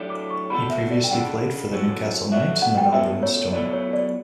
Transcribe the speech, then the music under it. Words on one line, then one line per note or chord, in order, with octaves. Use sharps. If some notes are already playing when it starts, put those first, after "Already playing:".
He previously played for the Newcastle Knights and the Melbourne Storm.
Already playing: A2 F#3 A3 D4 G4
D6
C#6
G3 B3 F#4 A4 B5
E5
D5
G5
C#3 G3 D4 A4 F#5
A2 F#3 C#4 F#4 A4
F#3 A3 D4 F#4 E5
E5
F#5
G5
B2 A3 C#4 F#4 A4 E5
C#5
B2 F#3 A3 E4 D5
C#5
D5